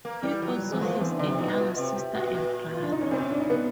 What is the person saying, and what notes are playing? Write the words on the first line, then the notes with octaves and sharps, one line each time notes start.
He also has a younger sister and brother.
A#3
E3 G3
F3 F#3
G3
G3
E3 G#3
F3 A3
B3
E3 C4
D4
D3 D#4
C3
B2 D#4
A#2
B2 F4
C3
G4
A#2 F#4
A#2
F4
D4
D#4
C#4
B2 C4
C#4
D4
D#4
B3